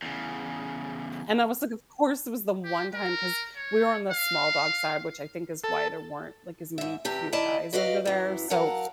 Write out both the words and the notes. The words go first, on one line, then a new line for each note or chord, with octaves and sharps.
and I was like, "Of course, it was the one time" 'Cause we were on the small dog side, which I think is why there weren't, like, as many cute guys over there, so,
E2 C#3
G4
A#4
C#5
F5
A4
G#2 E5
E2 C3 G4 A5
D#3 E4 D5 D#5 A5
F#4 B4 D5 D#5 F5
F#2 E3
F#3 A#4 F5 F#5 A5